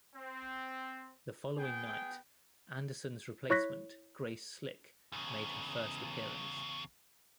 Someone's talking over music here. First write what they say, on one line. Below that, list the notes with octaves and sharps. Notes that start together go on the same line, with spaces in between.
The following night, Anderson's replacement Grace Slick made her first appearance.
C4
B3 G#4 G5
E4 C#5 C#6 F#6 A#6 B6
E2 C#3